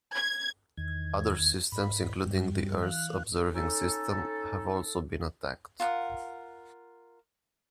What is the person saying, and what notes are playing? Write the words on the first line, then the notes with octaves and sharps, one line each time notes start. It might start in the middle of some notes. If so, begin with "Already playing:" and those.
Other systems including the Earth Observing System have also been attacked.
G#6
E2 D#3 G#6
G#2 B5
G2 G3
E3 F5 F#6
C#4 D#4 A4
F4 A#4 F#5